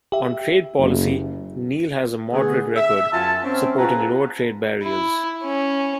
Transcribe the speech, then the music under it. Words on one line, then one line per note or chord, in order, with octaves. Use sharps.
On trade policy, Neal has a moderate record, supporting lower trade barriers.
G4 E5
F#1
D3 A3 B3 G#4
E5
F#2 F4 F#4 G#5 A5
C4 C#4
F4 G#4 B4 F#5 A5 A#5
E4
C#4